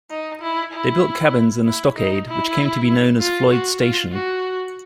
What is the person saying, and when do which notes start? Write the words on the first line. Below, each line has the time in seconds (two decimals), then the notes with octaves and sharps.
They built cabins and a stockade, which came to be known as Floyd's Station.
0.10 D#4
0.41 E4
0.73 E4
1.65 E4
1.96 D#4
2.28 E4
3.20 F4
3.51 F#4
3.81 F4
4.12 F#4